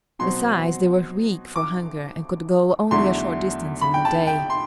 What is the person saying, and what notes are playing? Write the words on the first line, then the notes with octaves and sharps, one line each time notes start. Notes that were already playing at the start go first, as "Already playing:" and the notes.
Besides, they were weak from hunger and could go only a short distance in a day.
B2 F#3 C4 C6
D6
E2 D3 F#3 A3 E4 C6
B5
G5
A5
G5
C6